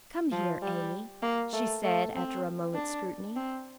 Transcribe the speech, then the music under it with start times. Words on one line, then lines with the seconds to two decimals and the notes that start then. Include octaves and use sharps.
'Come here, Amy,' she said after a moment's scrutiny.
0.32 F3
0.62 G3
1.22 A#3
1.53 A3
1.83 A3
2.14 C4
2.74 D4
3.36 C4